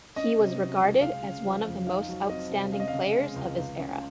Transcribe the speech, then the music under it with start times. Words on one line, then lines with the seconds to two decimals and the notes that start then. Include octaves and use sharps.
He was regarded as one of the most outstanding players of his era.
0.16 C#4 D#5
0.38 C3
0.59 F#3
0.80 C#2
1.01 G#3 F5
1.23 C#3
1.44 F3
1.65 F2
1.87 D#4 F5
2.08 F#3
2.29 C4 D#5
2.50 C3
2.72 C#4 F5
2.80 D#5
2.88 F5
2.93 C#3
3.15 G#3
3.36 C#2
3.58 C#2
3.79 C#3